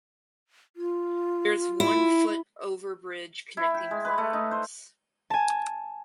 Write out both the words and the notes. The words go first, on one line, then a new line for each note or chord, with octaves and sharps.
There is one foot overbridge connecting platforms.
F4
E4
E4
G5
G#3
B4
A3
D#4
C5
G#5 A5